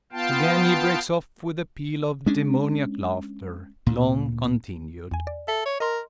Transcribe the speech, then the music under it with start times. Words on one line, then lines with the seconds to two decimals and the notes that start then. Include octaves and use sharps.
Again he breaks off with a peal of demoniac laughter, long continued.
0.12 B3 F4 F5 G5 A5
2.26 G#3 C#4 D4
3.86 D2 A#2
5.11 E2 G#5
5.27 D5
5.48 A4 E5
5.66 C#5
5.80 A#4 D#5 C6